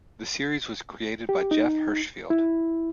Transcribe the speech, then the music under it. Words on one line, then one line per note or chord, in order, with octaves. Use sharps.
The series was created by Jeff Hirschfield.
G4
D#4
E4